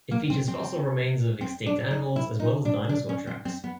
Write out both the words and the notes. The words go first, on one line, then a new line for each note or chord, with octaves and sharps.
It features fossil remains of extinct animals, as well as dinosaur tracks.
A#3
C4
C4
C4
D4
D#4
E4
D#4
D4
D4
C#4
C4
C4
B3